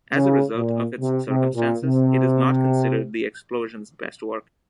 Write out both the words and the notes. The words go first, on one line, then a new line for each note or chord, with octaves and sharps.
As a result of its circumstances, it is not considered The Explosion's best work.
C#3
A#2
C3
C3
A#2
C3